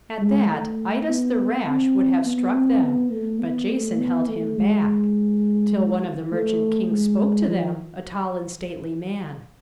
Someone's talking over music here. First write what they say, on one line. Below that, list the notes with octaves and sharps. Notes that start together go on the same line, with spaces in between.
At that Idas the rash would have struck them; but Jason held him back, till one of the merchant kings spoke to them, a tall and stately man.
G#3
A3
B3
C4
B3
C4
B3
A3
B3
A3
B3
A3
G#3
A3
G#3
F3